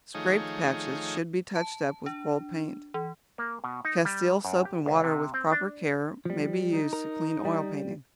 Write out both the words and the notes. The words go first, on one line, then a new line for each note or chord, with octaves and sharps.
Scraped patches should be touched up with gold paint. Castile soap and water, with proper care, may be used to clean oil paintings.
D#3 F3 A3 D#4 G#4 C#5
A5
D4
E3
A#3
B2
D#4
G3
F#2
G4
C#2
C3
C4
D4
F3 G3
D#4
A#4
G3